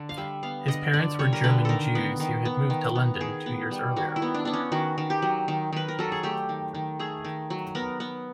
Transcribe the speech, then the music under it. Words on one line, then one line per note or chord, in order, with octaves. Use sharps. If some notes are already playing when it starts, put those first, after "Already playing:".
His parents were German Jews who had moved to London two years earlier.
Already playing: D3
F5
G3 E5
B3 F5
D3 D#5
D3 D5
G3 C#5
A#4
D3 B4
D#3 A4 A#4
B3
D#3
B3
D#3
B3
D#3 G#4
B3
G3
D#3 F#4
E4
B3
D4
B3 D4
C#4
D#3 F#4
D#3
G4
F#3
D#3
D#3 B4
A#4
F#3 A4
G#4
A3 G4
D#3
D#3
A3 G#4
D#3
F#3
B3 A#4
B3